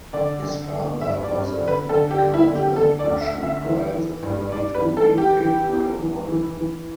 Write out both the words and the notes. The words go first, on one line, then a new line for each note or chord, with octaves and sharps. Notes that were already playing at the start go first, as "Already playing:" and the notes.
His father was an accountant which required the family to relocate to California.
D3 D5
D3
D3
G2 E5
D5
G2
D3
B4
D3 A4
G4
D3
E4
D3
G4
D3 A4
D5
D2
E5
D3
E5
E3
E3
G2
G2 D5
B4
E3
A4
E3
G4
E3
E2
E3
E3
E3